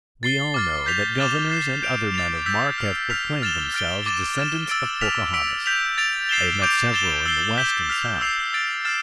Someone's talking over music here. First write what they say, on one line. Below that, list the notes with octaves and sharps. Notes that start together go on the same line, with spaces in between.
We all know that governors and other men of mark have proclaimed themselves descendants of Pocahontas; I have met several in the West and South.
A6 C7 G7
D6 F6 A6
G6 B6 F7
D6 F6 A6 E7 G7
G6 C7 E7
G6 D7 F7
A6 C7 F7
E6 G6 B6 F7
F6 C7 F7
F6 B6 F7
F6 A6 E7 G7
F6 A6 D7 G7
D6 A6 E7
F6 A6 E7
E6 A6 D7
F6 B6 F7
E6 B6 D7
G6 B6 F7
A6 D7 F7
A6 C7 E7 G7
D6 G6 D7 F7
A6 E7 G7
E6 G6 C7 G7
G6 B6 E7 G7
F6 B6 F7
E6 G6 C7 F7
E6 A6 D7
F6 A6 C7 E7